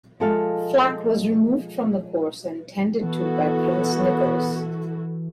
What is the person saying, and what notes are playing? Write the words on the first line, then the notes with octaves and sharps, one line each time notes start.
Flack was removed from the course and tended to by Prince Nicholas.
F3 G#3 F4 A4 E5 F5
E3 B3 E4 F#4 A4